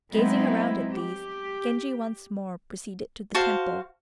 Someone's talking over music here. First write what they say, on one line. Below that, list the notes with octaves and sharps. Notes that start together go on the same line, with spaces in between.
Gazing around at these Genji once more proceeded to the temple.
F#3 G#3 B3 C4 D#4 E4
G4
F#4 C5 F5 A5